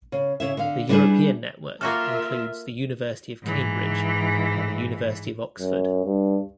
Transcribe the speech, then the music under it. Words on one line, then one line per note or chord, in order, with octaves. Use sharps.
The European network includes the University of Cambridge and the University of Oxford.
C#3
C#3 E4 E5
D3 F5
G3 D4 E4 G#4 B4
A#3 F4 F#4 A4 A#4 E5 F6
G#2 E3
F#2
G2